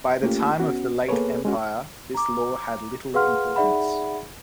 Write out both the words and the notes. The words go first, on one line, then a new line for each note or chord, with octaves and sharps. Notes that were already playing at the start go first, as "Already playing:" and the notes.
By the time of the late empire, this law had little importance.
A3 A#3 C#4 F4 G4
B3 C#4 F#4
A#3 B3 G#4 A4 B4 C#5
G#3 C#4 F#4
A#5 D6
G#4 B4 F5 F#5 C6 F6
D#4 G#4 D5 E5 F#5 B5